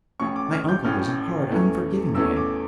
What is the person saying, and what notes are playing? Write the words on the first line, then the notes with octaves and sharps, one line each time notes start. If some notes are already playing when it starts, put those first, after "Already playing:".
My uncle is a hard, unforgiving man.
A1 A2 F3 C#4 C#6
D6
F6
G6
A1 A2 F3 C#4 F6
E2 E3 A3 C#4
E2 E3 A3 C#4 E6
D6